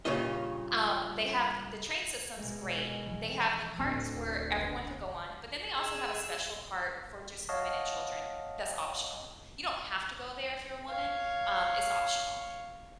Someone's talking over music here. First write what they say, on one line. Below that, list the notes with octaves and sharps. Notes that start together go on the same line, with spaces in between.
Um, they have the train system's great. They have the carts where everyone could go on, but then they also have a special cart for just women and children that's optional. You don't have to go there if you're a woman, um, it's optional.
G2 A#2 C#3 C#4 F4 D#5
B2 G#3
E3 F3
D1 D2 C4
E1 B3
G#4 E6
C#5 D#5 F5 F#5 A5 C#6
C#5 F5